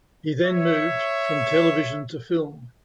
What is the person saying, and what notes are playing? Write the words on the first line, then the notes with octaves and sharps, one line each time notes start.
He then moved from television to film.
C#5 E5